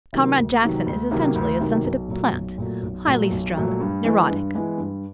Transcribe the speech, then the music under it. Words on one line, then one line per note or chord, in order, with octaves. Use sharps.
Comrade Jackson is essentially a Sensitive Plant, highly strung, neurotic.
C3 D#3 F#3 A#3
D2
C3 D#3 F#3 A#3
D2
C3 D#3 F#3 A#3
D2
C3 D#3 F#3 A#3
B1
A#2 F#3 A3
B1
A#2 F#3 A3
B1
A#2 F#3 A3
B1
A#2 F#3 A3
G2
E3 G#3 B3
G2
E3 G#3 B3
G2